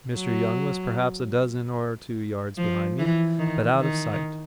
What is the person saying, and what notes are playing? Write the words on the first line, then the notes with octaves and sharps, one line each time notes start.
Mr. Young was perhaps a dozen or two yards behind me, but out of sight.
F#3
F3
E3
D#3
D#3